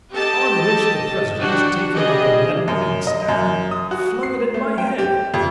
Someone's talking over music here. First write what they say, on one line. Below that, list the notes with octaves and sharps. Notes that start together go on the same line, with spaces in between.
On which the President, taking up a leaden inkstand, flung it at my head.
G4 A4 D#5 A5
G3 D4 F#4 F#5 G5
G3 D4 G4 G#4 D#5
F#2
D#5
F#2
D#6
F#4
C7
A3
G5
G4
F2